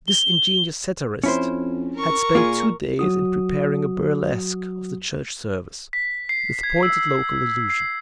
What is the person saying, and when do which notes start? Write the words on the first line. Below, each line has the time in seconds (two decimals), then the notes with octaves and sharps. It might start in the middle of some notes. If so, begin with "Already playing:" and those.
This ingenious satirist had spent two days in preparing a burlesque of the Church service, with pointed local allusions.
0.08 G7
1.24 F2 C#4 E4 C5
1.95 A#4 C#6
2.35 A#2 A#3 F4 G#4
2.99 F#3 F#4 D#6
5.93 B6
6.29 C7
6.63 G#6
6.83 E6
7.70 C7